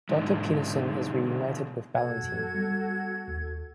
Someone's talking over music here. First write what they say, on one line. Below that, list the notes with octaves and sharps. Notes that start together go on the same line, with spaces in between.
Doctor Petersen is reunited with Ballantyne.
G#2 B2 D3 E3 D#4
B2 F#4 A4 G#6
F#2
G3 A3 B3
D#2